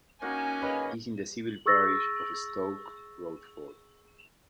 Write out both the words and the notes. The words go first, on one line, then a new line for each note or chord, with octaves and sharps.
It is in the civil parish of Stoke Rochford.
A#3 C#4 D#4 F#4 G#5
C#3 B4 D#5
G#4 C#6 E6 A6 A#6